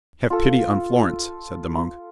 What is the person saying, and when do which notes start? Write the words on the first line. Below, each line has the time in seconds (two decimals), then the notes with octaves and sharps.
"Have pity on Florence," said the monk.
0.30 F4 A4